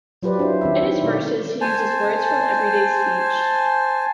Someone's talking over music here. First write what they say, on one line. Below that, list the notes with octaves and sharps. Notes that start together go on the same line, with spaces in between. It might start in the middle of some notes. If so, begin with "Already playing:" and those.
In his verses he uses words from everyday speech.
F#3 F4 G4 B4 C5 D5
D4 E4 C5
D#3 C4 E4 E5
D#3 D4
B2 A3 C#5 D5
C5 G#5 A5